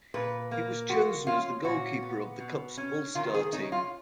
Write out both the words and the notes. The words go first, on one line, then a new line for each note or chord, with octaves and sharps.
He was chosen as the goalkeeper of the Cup's All-Star Team.
A#2 B4
A#3
F3 F#4
C#4 F4
A#2 F#4
B3
B2
C#4
D#3 F4
G#4
C#4 D#4
F4